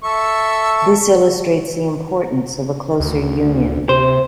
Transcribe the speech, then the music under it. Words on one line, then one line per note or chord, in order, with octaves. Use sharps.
This illustrates the importance of a closer union.
A4 E5 C#6
D2
C3 C5